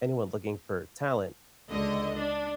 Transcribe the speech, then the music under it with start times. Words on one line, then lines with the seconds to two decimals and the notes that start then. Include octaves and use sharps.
anyone looking for talent.
1.70 C#2 D3 D#5
2.18 D4